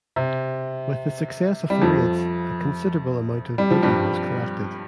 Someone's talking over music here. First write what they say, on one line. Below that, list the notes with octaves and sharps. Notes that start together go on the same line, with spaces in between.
With the success of the raids, a considerable amount of booty was collected.
C3
G3
F2 F3
G3
F3
G2 G3